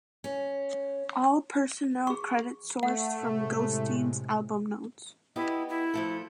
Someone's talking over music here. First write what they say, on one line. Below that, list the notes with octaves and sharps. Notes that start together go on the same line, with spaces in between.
All personnel credits sourced from "Ghosteen"s album notes.
C#4
G#4 C#6
A3 F#5
A2 C3 G#3
B3 E4 G4 D#5
E4
F3 A3 A4